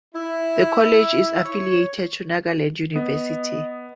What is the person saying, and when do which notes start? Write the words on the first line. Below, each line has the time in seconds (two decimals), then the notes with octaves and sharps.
The college is affiliated to Nagaland University.
0.14 E4
1.44 C#5
2.96 B3 D#5